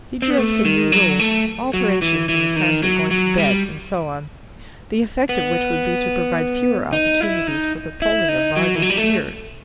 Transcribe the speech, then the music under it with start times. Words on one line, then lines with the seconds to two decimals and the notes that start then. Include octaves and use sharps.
He drew up some new rules--alterations in the times of going to bed, and so on--the effect of which would be to provide fewer opportunities for the pulling of Varden's ears.
0.22 C4
0.30 B3
0.38 A3
0.65 D#3
0.92 F#3
1.20 A3
1.74 F#3
2.02 E3
2.29 E3
2.56 D#3
2.83 F#3
3.11 F#3
3.38 G3
5.29 B3
6.93 D#4
7.21 E4
7.47 D#4
8.02 E4
8.29 D#4
8.57 F#3
8.76 E3
8.82 F#3
8.90 G3
8.97 A3